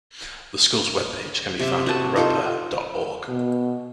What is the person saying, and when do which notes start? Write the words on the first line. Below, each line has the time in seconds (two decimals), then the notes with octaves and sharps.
The school's webpage can be found at: roeper dot org.
1.59 C3 E5
1.86 F#4 A5
2.16 D#4 F4 A4 C5
3.28 B2